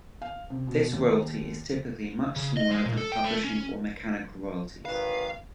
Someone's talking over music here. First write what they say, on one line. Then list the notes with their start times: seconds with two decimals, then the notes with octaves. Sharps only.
This royalty is typically much smaller than publishing or mechanical royalties.
0.22 F5
0.50 C3
0.67 B2
0.93 D#2
2.36 C#3
2.57 D#5
2.71 G#3
2.86 A#2
2.98 A4
3.12 G5
3.24 A3
3.44 C#4
4.85 G#1 D#3 B4 F5